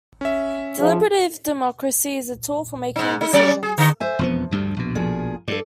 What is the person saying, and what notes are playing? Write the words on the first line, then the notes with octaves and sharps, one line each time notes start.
Deliberative Democracy is a tool for making decisions.
C#4 E5
F3 E4 G#4
G#2 D#4
D#4
F#3 C#4 D5
G#4
D3
C5 E5 G#5
E1 F2 F3 B3
D2 G2 G3
A#1 B2
A#2 F3 G#4
G2 A4 D5